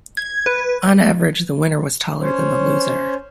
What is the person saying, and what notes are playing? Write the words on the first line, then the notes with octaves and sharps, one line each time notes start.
On average the winner was taller than the loser.
G#6
B4
C#4 C5 C#5